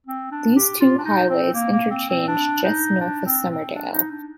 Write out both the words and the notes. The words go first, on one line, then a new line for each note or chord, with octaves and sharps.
These two highways interchange just north of Summerdale.
C4
D4
G4
F4
D4
D#4
C4
A#3
A#3
C4
C4
D4
D#4
D4
C4
C4
D4
D#4
D4